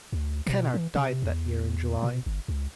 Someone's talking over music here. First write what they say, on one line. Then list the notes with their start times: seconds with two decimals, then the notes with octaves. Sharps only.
Kennard died that year in July.
0.12 D2
0.46 B2
0.74 E3
0.95 C3
1.22 E2
2.02 B2
2.26 G1
2.48 C#2